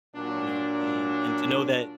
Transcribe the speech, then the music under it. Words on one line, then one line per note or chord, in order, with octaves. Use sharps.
you know, and and to know that,
A#2 F#3 D4